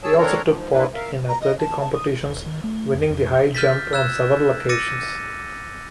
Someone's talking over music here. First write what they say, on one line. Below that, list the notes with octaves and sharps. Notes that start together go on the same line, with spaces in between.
He also took part in athletics competitions, winning the high jump on several occasions.
G#4 C#5 A5 E6
C4 D4 A4 A#4 C#5 A#5
G#2 F3
A#3 D4 E4 B4
A#4 E5 F5
A#5
D#5
A5
A5
D#6
D#1
D#3
A3
F2
F2
F6 G6 A6 B6
E6 F#6 G#6 E7
D6 E6 A6 A#6 C#7 D#7